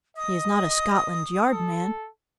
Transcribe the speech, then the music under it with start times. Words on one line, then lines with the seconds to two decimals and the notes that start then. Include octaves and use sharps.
He is not a Scotland Yard man.
0.17 D#5 D#6
1.52 A4